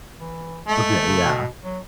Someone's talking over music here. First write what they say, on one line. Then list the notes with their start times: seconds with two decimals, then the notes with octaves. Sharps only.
Okay, yeah.
0.19 E3
0.68 G#3 A3
1.06 C#3
1.23 B2
1.62 F#3